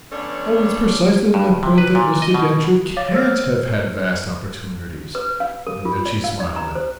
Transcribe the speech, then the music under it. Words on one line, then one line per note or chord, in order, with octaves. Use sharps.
"Oh it's precisely my point that Mr. Densher CAN'T have had vast opportunities." And then she smiled at him.
F3 B3 C#4 D4 A4 C#5
G2
C3
B4
A#2
D#5
B2
C#5 F5 D6 A6
C5 C#5 E6 F6
B4
F5
A#4
F4
D5
F5
D5
A#5
C5